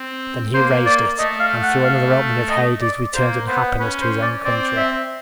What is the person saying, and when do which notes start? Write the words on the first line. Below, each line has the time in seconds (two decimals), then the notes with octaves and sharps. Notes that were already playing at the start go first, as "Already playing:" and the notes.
Then he raised it, and through another opening of Hades returned in happiness to his own country.
Already playing: C4
0.54 A#3 C5
0.86 D5
1.18 A3 D#5
1.40 F5
1.63 F#5
1.84 F5
2.50 D#5
2.81 D5
3.14 A#3 C5
3.46 B3 C5
3.79 C#4 B4
4.02 C5
4.22 D5
4.44 C4 D5
4.77 E5